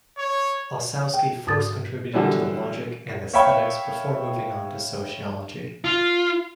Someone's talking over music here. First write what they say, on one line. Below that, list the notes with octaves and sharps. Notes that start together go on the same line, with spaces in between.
Ossowski first contributed to logic and aesthetics before moving on to sociology.
C#5
G5
G#2 D#6 A6
D3 E3 F#3 G3
C#5 E5 F5 G5 B5 C#6
F4